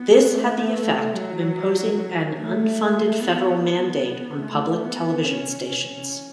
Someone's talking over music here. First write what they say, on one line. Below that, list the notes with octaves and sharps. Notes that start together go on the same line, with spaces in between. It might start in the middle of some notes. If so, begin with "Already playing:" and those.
This had the effect of imposing an unfunded federal mandate on public television stations.
Already playing: B3
A3
F#3
A3
B3
B3
A3
B3
C#4
C#4